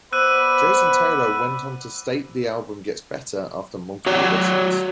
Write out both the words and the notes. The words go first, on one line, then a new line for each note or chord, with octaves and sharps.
Jason Taylor went on to state the album gets better after multiple listens.
B3 C5 D5 B5 E6 F#6 D#7
F#4 C#5 D5